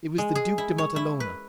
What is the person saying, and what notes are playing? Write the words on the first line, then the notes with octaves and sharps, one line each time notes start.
It was the Duke de Matalona.
G#3
G#4
E4
C#5
E4
B4